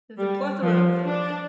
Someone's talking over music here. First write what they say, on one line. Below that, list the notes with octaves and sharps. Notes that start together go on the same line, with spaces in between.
There's a plethora of things.
G3
F3
D4